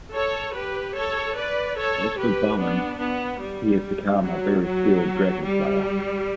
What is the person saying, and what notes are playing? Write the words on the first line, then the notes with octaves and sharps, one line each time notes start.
As for Bowen, he has become a very skilled dragonslayer.
A4 C#5
G4 B4
A4 C#5
B4 D5
A4 C#5
G4 B4
B3 D4
B3
G3
F#3
F#3
G3